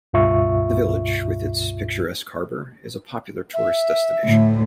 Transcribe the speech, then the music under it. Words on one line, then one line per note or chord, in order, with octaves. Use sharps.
The village, with its picturesque harbour, is a popular tourist destination.
C#2 G2 B2 F4 E5 C#6
E5
D2 A2